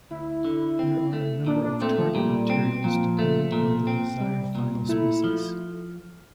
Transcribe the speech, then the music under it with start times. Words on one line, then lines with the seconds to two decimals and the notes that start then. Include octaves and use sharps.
There are a number of target materials depending on the desired final species.
0.11 D2 E4
0.44 D3
0.79 C4
1.13 A3
1.46 A#2 D4
1.64 D4
1.81 A3 C4
1.98 F3
2.15 A#2 G3
2.50 C4
2.84 A#2 F3
3.19 A3
3.52 A#2
3.87 C4
4.20 C2 G3
4.55 A#2
4.89 A3 E4
5.24 F3